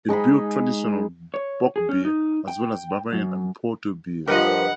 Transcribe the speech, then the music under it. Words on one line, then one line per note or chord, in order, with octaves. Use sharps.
It brewed traditional Bock beer, as well as Bavarian and Porter beers.
G#3 D#4 G#4 B5
C#5
G#4
C#4
D#4
G5
F#2
G2 F3 A#4 B4 D#5 F#5